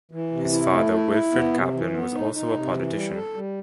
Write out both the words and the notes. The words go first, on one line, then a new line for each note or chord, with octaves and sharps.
His father, Wilfred Caplan, was also a politician.
E3
C3
E4
A3
E4
E4
B3
C3
E3
B3
D#4
D#4
C3
E3
G3
A4
G3